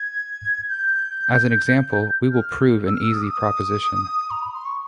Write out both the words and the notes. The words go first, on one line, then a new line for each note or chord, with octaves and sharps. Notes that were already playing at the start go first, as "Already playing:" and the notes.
As an example, we will prove an easy proposition.
Already playing: G#6
G6
F6
E6
F6
E6
D#6
D6
D#6
A#5
B5
C6
C#6